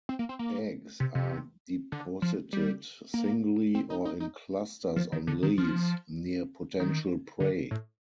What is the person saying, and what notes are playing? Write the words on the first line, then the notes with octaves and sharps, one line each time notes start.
Eggs are deposited singly or in clusters on leaves near potential prey.
C4
A#3
C4
A#3
C3
C3
D3
F3
G3
A#3
C4
D#4
D#4
D#4
F3
D#3
D3
D#3
F3
D#3
D3
A2